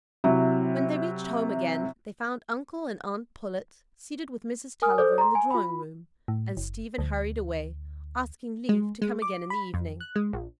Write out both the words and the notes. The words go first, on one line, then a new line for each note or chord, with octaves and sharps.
When they reached home again, they found uncle and aunt Pullet seated with Mrs. Tulliver in the drawing-room, and Stephen hurried away, asking leave to come again in the evening.
C3 F#3 E4
A#4 G#5 D#6 F6
A4 C5 D5 D#6 G6
A#5 C6
G#5
F4 B5
A2
F#1
D2
G#3
G#3
D6
B5
F2
F#6
G#3
A#1